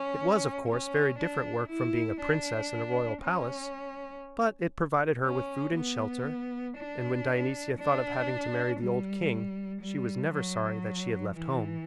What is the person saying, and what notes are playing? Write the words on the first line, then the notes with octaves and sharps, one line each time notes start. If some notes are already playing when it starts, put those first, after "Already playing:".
It was, of course, very different work from being a princess in a royal palace but it provided her with food and shelter, and when Dionysia thought of having to marry the old king she was never sorry that she had left home.
Already playing: C#4
C#4
D4
E4
D4
C#4
C#4
B3
D4
D4
G3
G3
F#3
E3